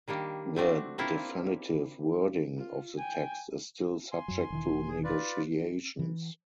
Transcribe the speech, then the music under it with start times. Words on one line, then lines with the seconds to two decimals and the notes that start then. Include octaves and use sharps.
The definitive wording of the text is still subject to negotiations.
0.08 D#3 G3 A#3 D4
0.56 A3 C4 D4 F#4
0.98 A#3 C4 D4 E4 F4
2.58 F4
2.97 G5 G#5
4.12 G#5 C6
4.28 F#2 F#3
4.50 E1 D#3 E3
4.89 G#4
5.04 F4 B4 D5
5.99 E3